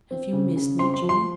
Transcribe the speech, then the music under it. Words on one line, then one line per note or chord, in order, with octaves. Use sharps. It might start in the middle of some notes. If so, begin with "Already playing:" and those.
"Have you missed me, June?"
C4
C#3
C#3
C4 C6
C6
F3
C6